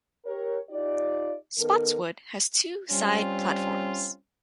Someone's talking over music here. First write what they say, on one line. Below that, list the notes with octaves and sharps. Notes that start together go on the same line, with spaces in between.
Spotswood has two side platforms.
G4 A#4 C#5
D#4 F4 G4 D5
D#3 B3 A4 A#4
G3 C4 C#4 F4